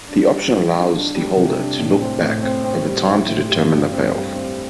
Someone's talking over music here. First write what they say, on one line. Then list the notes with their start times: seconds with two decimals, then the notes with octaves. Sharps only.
The option allows the holder to "look back" over time to determine the payoff.
0.08 D4
0.29 G3
0.51 G3
0.72 D4
0.94 D4
1.15 G3
1.37 C3
1.58 D4
1.79 A2
2.00 C4
2.22 A2
2.43 C4
2.64 C4
2.86 G3
3.07 E4
3.29 A2
3.50 G2
3.72 G2
3.92 C4
4.14 G3
4.35 C4